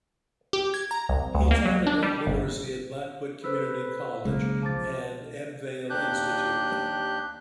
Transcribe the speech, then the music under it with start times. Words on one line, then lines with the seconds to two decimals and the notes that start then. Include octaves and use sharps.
He taught Adult Literacy at Blackwood Community College and the Ebbw Vale Institute.
0.53 G4
0.74 G#6
0.91 A#5
1.09 C2
1.35 D2
1.51 A#3
1.66 F#3
1.87 D4
2.03 G3
2.27 G1
3.44 A4 B4 C5 E6
4.25 B1 C#3 G#3 A#3
4.63 F3 A5 D6 A6
5.90 D#2 D4 G4 F#6 G6